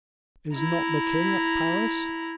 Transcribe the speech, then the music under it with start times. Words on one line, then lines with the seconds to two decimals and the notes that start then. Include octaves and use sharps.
"Is not the king at Paris?"
0.55 E4 A#5